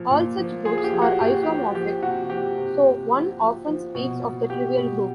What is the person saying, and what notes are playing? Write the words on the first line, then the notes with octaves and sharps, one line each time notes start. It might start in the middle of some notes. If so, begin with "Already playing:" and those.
All such groups are isomorphic, so one often speaks of "the" trivial group.
Already playing: A#2 F3
A#2
F3
F3 G#4
G#4
G4
F3
F#4
A#2 G4
F#4
F3 G4
F3 G4
C3 F#4
F3 G4
C3
C3
F3
F3
F3
B2
B2
B2 G4
B2